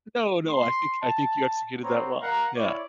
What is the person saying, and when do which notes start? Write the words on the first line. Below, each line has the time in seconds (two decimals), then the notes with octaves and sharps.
No, no, I think, I think you executed that well, yeah.
0.48 C6
1.01 A5
1.83 B3 C4 C#5 A#5 C6
2.21 A#4 F5 F#5 A#5
2.56 E4 C#5 D5